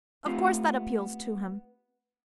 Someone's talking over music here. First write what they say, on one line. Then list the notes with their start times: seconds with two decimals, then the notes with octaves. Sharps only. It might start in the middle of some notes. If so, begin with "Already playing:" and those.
"Of course that appeals to him."
0.25 A3 B3 C4 F4 G4